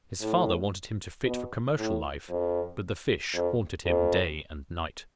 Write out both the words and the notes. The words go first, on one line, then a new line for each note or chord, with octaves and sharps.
His father wanted him to fit for commercial life, but the fish haunted him day and night.
A2
B2
A2
F2
F2
F2